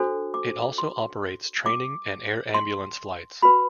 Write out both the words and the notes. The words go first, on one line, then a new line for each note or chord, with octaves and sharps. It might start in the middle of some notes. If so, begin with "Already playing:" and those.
It also operates training and air ambulance flights.
Already playing: D4 F#4 A4 C5
D6
C6
D6
C6
F#4 B4 B5